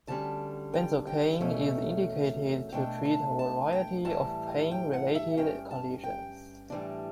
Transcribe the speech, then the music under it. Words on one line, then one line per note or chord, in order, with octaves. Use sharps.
Benzocaine is indicated to treat a variety of pain-related conditions.
D2 D3 G3 C#4 A5
G5
G5
E2 B2 A3 C#4
B2 A3 D4 G5
A5
A5
G5
A2 E3 G3 A5
G5
F#5
E5
G2 F#3 C#4 G5
A5
G5
A2 E3 G3 D4